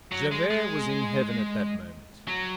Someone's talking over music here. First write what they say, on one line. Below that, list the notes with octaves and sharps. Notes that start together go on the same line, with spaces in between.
Javert was in heaven at that moment.
F#3
G#3
G#3
F#3